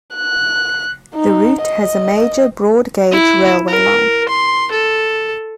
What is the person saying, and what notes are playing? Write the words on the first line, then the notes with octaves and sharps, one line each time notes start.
The route has a major broad gauge railway line.
F#6
D#4
D#5
E4
A#4
C6
A4